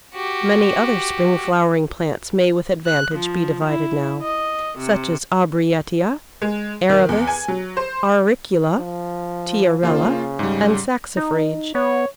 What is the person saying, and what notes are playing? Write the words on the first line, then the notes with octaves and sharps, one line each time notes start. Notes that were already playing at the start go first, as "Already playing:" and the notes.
Many other spring-flowering plants may with advantage be divided now, such as Aubrietia, Arabis, Auricula, Tiarella, and Saxifrage.
F#4 G4
F#6
F3
E4
D#5
C3
G#3
D#3
E2
G#5
F#3
C5
F3
C#3 A#3 F4 C5
G#2 G3
D#4
B3 C#5